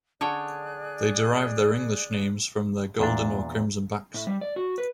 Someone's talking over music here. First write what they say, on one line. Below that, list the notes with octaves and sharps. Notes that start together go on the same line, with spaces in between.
They derive their English names from their golden or crimson backs.
D3 G#4 C#5 D5 G5 F#6
E2 A#2 D4
A2
G3
D5
F#4
B4